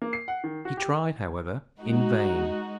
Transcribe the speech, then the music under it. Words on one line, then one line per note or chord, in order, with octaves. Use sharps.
He tried, however, in vain.
A#3
C7
F#5
D#3
F#4
G4
G#3 D#4 F#4